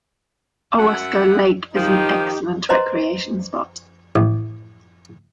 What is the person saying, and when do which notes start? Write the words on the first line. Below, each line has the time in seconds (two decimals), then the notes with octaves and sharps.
Owasco Lake is an excellent recreation spot.
0.79 F#2 E5 F#5
1.75 D#3 F3 D#4 G4
2.69 B4 C5 D#5 A#5 C6
4.16 A1